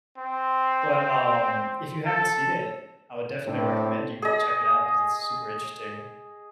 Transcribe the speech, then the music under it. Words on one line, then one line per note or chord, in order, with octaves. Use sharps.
but, um, if you haven't seen it, I would definitely recommend you check it out 'cause it's super interesting.
C4
A4
A2 C4 D4
G#4 D#5